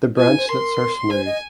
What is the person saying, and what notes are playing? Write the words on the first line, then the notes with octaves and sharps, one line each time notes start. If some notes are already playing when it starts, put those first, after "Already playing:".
The branchlets are smooth.
F4 G#5
D#4
C5
A#4 C6
C5 G#5
D#5